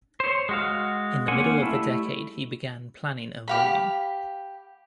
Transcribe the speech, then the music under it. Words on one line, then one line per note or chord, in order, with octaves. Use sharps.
In the middle of the decade he began planning a volume.
C5 C#5
G#3 F#4 F5
A#3 C4 C#4 F#5 G#5
G3 A3 E4
G4 F5 B5